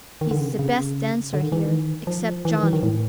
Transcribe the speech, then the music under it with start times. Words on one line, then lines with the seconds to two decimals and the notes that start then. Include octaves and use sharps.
"He's the best dancer here, except Johnny."
0.21 D#3
0.31 D3
0.40 C#3
0.49 C3
0.59 C#3
1.34 D3
1.42 D#3
1.52 E3
1.61 D#3
2.07 F3
2.45 E3
2.54 D#3
2.63 E3
2.73 D#3
2.83 A2